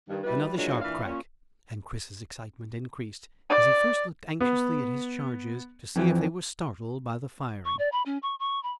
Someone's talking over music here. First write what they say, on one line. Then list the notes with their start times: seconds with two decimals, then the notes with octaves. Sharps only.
Another sharp crack, and Chris's excitement increased, as he first looked anxiously at his charges to see if they were startled by the firing.
0.09 G2 D#3
0.24 F#3 G3 E4 B4
0.56 E3 F#3 G#3 A#3 D4 F4
0.81 A#2 E3 D4 E4 F5
1.04 A#2 C#4
3.50 D5
4.40 B3
5.96 F2 E3 F3
7.65 C#6
7.79 D5
7.92 B5
8.06 C#4
8.23 C#6
8.39 C#6
8.63 B5